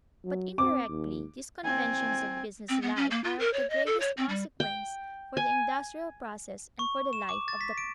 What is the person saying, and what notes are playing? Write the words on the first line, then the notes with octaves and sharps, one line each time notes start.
But indirectly these conventions of business life are of the gravest consequence for the industrial process and for the life of the community.
F#3
C4 D6
D#2
C4 G#5
C4
B3
C#4
A#3
F4
A#4
C#5
D#5
A4
C#5
C4
G3
G5
G#5
C#6
E7
D6
A6
B6
D7